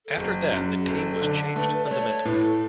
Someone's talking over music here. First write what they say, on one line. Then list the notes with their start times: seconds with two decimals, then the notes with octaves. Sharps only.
After that, the team was changed fundamentally.
0.05 A4
0.17 F#1 G#4
0.52 F#2
0.86 F#1 A4
1.10 A4
1.21 D3
1.56 A3 B4
1.74 B4
1.85 D5
1.91 A3 C#5
2.00 D5
2.08 C#5
2.25 A2 B4
2.43 A4